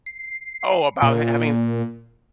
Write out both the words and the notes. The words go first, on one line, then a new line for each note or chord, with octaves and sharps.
Oh, about h having
C7
A#2